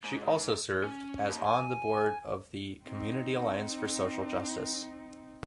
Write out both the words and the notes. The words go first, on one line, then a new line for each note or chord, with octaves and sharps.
She also served as on the board of the "Community Alliance for Social Justice".
G#2
C#4
D#2
G#5
C4 D#4